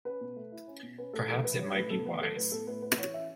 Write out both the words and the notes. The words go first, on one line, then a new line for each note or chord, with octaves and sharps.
Perhaps it might be wise.
C#4 B4
B2
A3
E4
C#4
B2
C#4 B4
A2 A4
E3 A4
E4 B4
C#4 C#5
A2 B4
B3 A4
A2 B4
F#3 A4
A2 B4
B3 A4
A2 B4
E4 B4
E3 C#5
C#4 E5